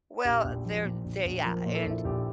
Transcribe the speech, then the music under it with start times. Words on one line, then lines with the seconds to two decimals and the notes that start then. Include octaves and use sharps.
Well, they're they yeah, and,
0.25 A#1 G4
0.44 A#1
0.65 F3
0.84 A#2
1.05 A#1
1.25 A#1
1.45 F3 A#4
1.60 A#4
1.66 A#2
1.75 A4
1.85 A#1
1.90 E4
2.05 A#1 G4